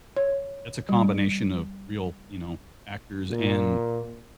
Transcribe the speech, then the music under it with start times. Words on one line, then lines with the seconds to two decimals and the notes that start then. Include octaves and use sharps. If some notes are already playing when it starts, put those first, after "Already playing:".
that's a combination of real, you know, actors and
0.17 C#5
0.89 G3
3.30 A#2